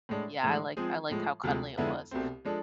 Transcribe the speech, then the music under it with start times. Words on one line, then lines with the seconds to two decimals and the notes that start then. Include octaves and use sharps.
Yeah, I liked I liked how cuddly it was.
0.09 A2 G#3 D4
0.43 A2 E3 G#3
0.77 F3 G#3 C4 G#4
1.10 A2 F3 G#3
1.44 D2 C3 F3 G#3
1.77 F2 D3 G#3 B3 E4
2.11 C2 B2 A3 C4
2.45 F3 G#3 D4 A4